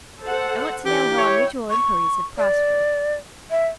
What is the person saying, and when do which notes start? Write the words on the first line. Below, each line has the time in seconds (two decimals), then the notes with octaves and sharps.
I want to know how our mutual inquiries have prospered.'
0.24 A4 C5 F#5
0.86 E3 D4 G4
1.17 E4 C#5 G5
1.70 C#6
2.38 D5
3.51 E5